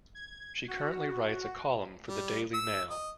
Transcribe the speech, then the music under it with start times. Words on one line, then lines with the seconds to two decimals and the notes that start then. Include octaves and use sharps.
She currently writes a column for the "Daily Mail".
0.15 G#6
0.68 F#4
2.08 G3
2.54 E6
2.90 D#5